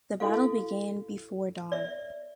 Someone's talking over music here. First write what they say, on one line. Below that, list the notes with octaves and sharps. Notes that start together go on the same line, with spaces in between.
The battle began before dawn.
E4 F#4 A4 F5
D5 E5